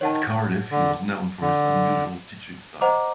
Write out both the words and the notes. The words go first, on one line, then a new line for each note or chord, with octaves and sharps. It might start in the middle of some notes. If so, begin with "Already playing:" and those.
At Cardiff he was known for his unusual teaching style.
D#3 C#5 F#5 A5
D3
D3
C5 D#5 F#5 A#5 D6